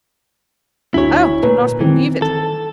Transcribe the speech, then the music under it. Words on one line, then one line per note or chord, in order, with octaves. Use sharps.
Oh! do not believe it!
D2 E4 F#4 C#5
A#2 B4 A#5
D#3 E3 C4
A4